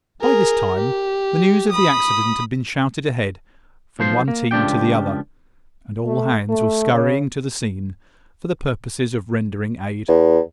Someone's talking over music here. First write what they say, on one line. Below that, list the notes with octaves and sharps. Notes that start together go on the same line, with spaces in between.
By this time the news of the accident had been shouted ahead from one team to the other, and all hands were hurrying to the scene for the purpose of rendering aid.
G#4 A#4
G4
B5 D#6
B1 F3 C5 C6
A#3
C#2 F3 D4 G4 G5
A3
A3
C#3
E2